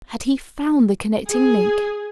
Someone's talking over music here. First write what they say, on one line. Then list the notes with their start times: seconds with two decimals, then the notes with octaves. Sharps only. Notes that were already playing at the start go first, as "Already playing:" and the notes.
Had he found the connecting link?
1.27 G#4